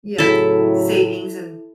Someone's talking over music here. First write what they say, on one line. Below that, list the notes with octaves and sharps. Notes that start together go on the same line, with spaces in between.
Yes, savings and
A2 C#3 F#3 E4 A4